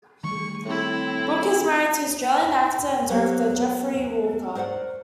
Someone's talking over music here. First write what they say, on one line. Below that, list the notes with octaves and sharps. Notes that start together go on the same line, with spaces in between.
Brooke is married to Australian actor and director Jeffrey Walker.
D#3 G3 A3 C#6
A2 C4 E4
F#3 A#3 B3 G4 C5 C#5
A#4 C5 D5 F5 F#5